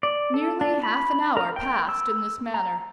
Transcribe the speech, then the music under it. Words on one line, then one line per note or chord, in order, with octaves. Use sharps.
Nearly half an hour passed in this manner.
D5
A4
D4
B5
A#4
G5
E6
A#5